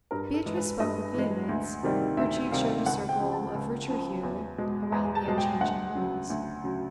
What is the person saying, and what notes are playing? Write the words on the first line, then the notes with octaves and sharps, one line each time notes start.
Beatrice spoke with vehemence; her cheeks showed a circle of richer hue around the unchanging rose.
G2 A#4
A4
E3 G#3
B4
G2 D#5
E3 G#3
D2
C3 D#3 G3
D2 E5
C3 D#3 G3 F5
C#2 F#5
G5
C#3 F3
A5
C#2
C#3 F3
E2
B2 G#3
E2 A#5
A5
B2 G#3
G5
D2 F#5
C#3 F#3
D2
C#3 F#3